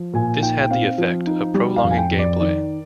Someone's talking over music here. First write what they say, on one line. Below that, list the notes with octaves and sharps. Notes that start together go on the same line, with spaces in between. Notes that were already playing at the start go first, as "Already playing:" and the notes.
This had the effect of prolonging gameplay.
Already playing: F3
A#2 G#5
D#4 G5
G5
C4 F5
F3
D#4
G3
F5
F2
G#5
G5
F2
D5
D#3 D5